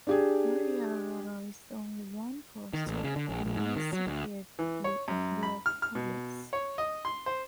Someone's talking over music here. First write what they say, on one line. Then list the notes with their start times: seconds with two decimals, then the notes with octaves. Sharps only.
Maria Aurora is the only non-coastal municipality of the province.
0.07 D4 G4 G#4
2.74 D#3
2.87 A1
3.04 C#3
3.16 D3
3.29 A#1
3.45 A#1
3.56 G#2
3.76 D#3
3.93 F#3
4.07 D2
4.59 E3
4.84 C#5
5.08 F#2
5.43 B5
5.66 F6
5.82 F6
5.95 B2
6.53 C#5
6.78 D#5
7.05 C6
7.26 C5